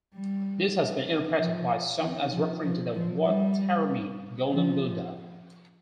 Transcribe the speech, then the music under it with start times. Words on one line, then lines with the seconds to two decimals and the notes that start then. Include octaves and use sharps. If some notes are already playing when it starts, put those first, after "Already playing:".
This has been interpreted by some as referring to the Wat Traimit Golden Buddha.
0.14 G3
1.39 F3
2.01 D#3
2.32 F3
2.63 F3
2.95 F3
3.25 G3
4.51 F3